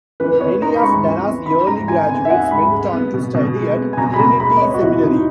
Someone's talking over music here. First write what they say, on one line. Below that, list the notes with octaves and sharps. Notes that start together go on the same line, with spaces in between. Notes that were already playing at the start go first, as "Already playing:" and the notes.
Many of Dana's early graduates went on to study at Trinity Seminary.
E3 B4
B4
B3 C#5
D#4 A#5
B5
G#2 C#6
E3
B3
D#4 B5
G#2 A#5
E3 G#5
B3 G#5
E5
D#4 F#5
G#2 B5
G#3
B3
B2
B2
G#3
B3
G#5
B2 A#5
B5
B2 A#5
G#3 B5
D#5
B3 C#5
F#4
B2 E4
B2 D#4